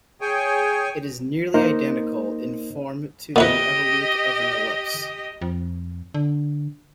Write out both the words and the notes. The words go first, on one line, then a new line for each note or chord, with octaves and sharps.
It is nearly identical in form to the evolute of an ellipse.
G#4 C#5 G5 G#5
A#3 D#4 A#4 C5 D#5
A#2 E4 G4 B4 D#5
F2
D3